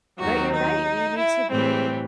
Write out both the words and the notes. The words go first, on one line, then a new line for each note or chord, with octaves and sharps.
But you're right. We need to be,
D#2 D#3 F#3 F#4
D#4
E4
A2 E3 G3 C4